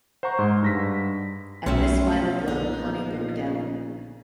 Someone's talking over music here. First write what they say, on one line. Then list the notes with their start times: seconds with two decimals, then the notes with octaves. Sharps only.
At this final blow Connie broke down.
0.23 C5 F#5 A#5 C#6
0.39 G#2 C6
0.63 G2 A#6 B6
1.66 B1 F#2 A3 B3 C#4 E5 G5 C6
2.48 A#1 B3 D#4 G#4